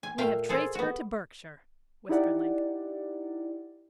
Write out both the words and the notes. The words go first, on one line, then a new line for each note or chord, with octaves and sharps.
"We have traced her to Berkshire," whispered Link.
G#5
A#2 A3 E5 F5 G5
G#4 A4 C5
B3 F#4
D#4 E4 G4 D5 F#5